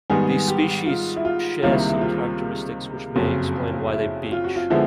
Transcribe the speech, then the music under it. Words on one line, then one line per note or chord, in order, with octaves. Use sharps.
These species share some characteristics which may explain why they beach.
G#2 D#3 G3 B3 G#4
G4
F4
E4
F4
C#2 C3 D#3 G3 A#3 F4
E4
E4
F4
F#1 F2 C#3 F#3
E4
F4
F#4
F4
D3 F3 G#3 B3 E4